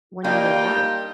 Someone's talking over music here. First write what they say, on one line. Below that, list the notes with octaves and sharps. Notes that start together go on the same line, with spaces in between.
when you go to work,
G3 A#3 D4 D#4 F4 G5